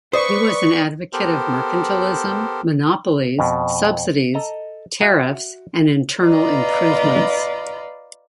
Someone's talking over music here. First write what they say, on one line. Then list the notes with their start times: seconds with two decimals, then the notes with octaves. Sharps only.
He was an advocate of mercantilism, monopolies, subsidies, tariffs, and internal improvements.
0.13 B4 C5 D5 C#6 D#6
1.13 B3 G4 A4 A#4 C5
3.39 F2 B2
4.34 A4 D#5 A#5
5.00 F#4 E5 F#5 A#5
6.23 F4 B4 D5 D#5 A#5